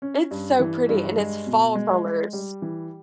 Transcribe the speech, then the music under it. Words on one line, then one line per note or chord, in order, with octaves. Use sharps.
it's so pretty and it's fall colors.
C#4
G2
E3
G2
G#3
B2
G#3
G#3
G3
E3